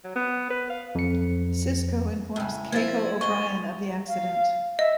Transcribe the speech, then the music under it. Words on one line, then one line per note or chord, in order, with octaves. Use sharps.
Sisko informs Keiko O'Brien of the accident.
F#3
B3
B4
F5
F2 C#7
A2 C#3
F3 E4 G#6 A6
G#2 C#4 C#6 G7
F5
D#5 E5